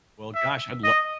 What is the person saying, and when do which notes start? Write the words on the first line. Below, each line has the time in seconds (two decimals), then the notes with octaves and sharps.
well, gosh, I'd lo
0.35 E5
0.84 D#5